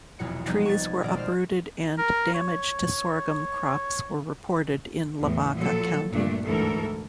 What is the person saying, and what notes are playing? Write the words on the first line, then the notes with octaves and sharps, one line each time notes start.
Trees were uprooted and damage to sorghum crops were reported in Lavaca County.
F1 B1 E2 B2 C#7
F3 G3 B3 D#4 G#4 D#5
C#6 G#6 A6
D#1 B2 A#4 D5
G#3 C5 F6
A#4
C#5
E2 A2
A#2 F3 F#3 A4
G2 A#2 A3 D4
D2 G#2 E3 A4 A#4